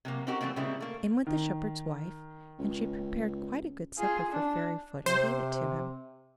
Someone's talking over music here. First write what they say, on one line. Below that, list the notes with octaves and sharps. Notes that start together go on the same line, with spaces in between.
In went the shepherd's wife, and she prepared quite a good supper for Fairyfoot and gave it to him.
C3 F#3 A#3
C4 C#4 D#4 F#4 G4 A#4
E3 G3 A3 A#3 C4
A#2 C#3 G3 G#3 C4 E4
A3 A#3
D#3
C#2
F4 G#4
D4
C3 C5